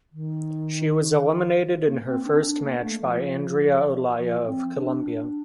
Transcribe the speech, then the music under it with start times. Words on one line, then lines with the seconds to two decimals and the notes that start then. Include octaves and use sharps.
She was eliminated in her first match by Andrea Olaya of Colombia.
0.12 D#3
1.86 A#3
2.05 C4
2.24 D4
2.44 D4
2.63 A#3
2.82 A3
3.01 F3
4.17 F3
4.46 C4
4.75 D4